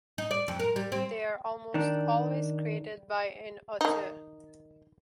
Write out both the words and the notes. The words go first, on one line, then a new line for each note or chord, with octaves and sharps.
They are almost always created by an "auteur".
D#4
D5
F2
A#4
G3
C4
D#3 D4
D#3 D#4